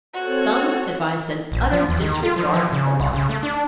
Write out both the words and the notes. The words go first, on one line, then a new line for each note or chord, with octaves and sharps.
Some advised an utter disregard of the law.
C4 F#4 A4 C#5
A#1
F3
E2
D#3
F4
F3
F3
C#3
C2
C#3
A3
D4